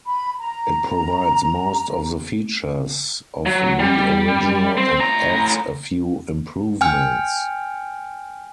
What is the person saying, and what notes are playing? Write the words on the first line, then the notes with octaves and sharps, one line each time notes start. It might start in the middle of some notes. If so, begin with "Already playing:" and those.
It provides most of the features of the original and adds a few improvements.
B5
A#5
F#3
G3
C4
A2 A#5
G5 G#5 F6